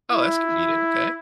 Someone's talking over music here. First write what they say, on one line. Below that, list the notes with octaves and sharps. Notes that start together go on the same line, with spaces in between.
Oh, that's convenient, okay.
E4